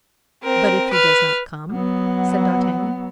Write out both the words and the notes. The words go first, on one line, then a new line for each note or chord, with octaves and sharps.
"But if he does not come?" said d'Artagnan.
C4 A#4
B4 F6
F#3 B3